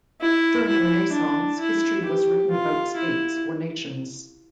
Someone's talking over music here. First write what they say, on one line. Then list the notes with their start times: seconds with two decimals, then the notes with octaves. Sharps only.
During the Renaissance, history was written about states or nations.
0.21 E4
0.68 E4
1.13 D4
1.59 E4
2.06 G4
2.51 F4
2.97 E4